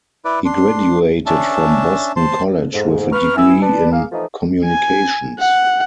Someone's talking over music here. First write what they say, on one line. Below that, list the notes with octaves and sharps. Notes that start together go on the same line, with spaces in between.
He graduated from Boston College with a degree in communications.
E4 B4 D5
D4 C6
C#4 D4 E5 A5
C5 A5 C6
F2 G#2
B4 A#5 C#6 F6
B3 E4 G#5 E6
B4 D5 A5
A#3 G#4 F5
E3 F3 A3 D#4
G#5
F#5